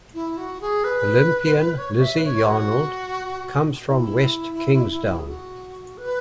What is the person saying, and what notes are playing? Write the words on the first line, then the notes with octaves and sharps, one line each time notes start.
Olympian Lizzy Yarnold comes from West Kingsdown.
E4
F#4
G#4
B4
C#5
E5
B4
C#5
F#4
E4
G#4
F#4
B4